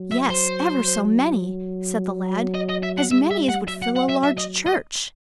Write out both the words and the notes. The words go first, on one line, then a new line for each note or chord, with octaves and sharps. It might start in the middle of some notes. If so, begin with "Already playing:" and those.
"Yes, ever so many," said the lad, "as many as would fill a large church."
Already playing: F#3
E5
C5
F#3
D#5
D#5
E5
F#5
G3 E5
E5
F#5
F#3 E5
F#5
F#5
E5
E5
D#5
D#5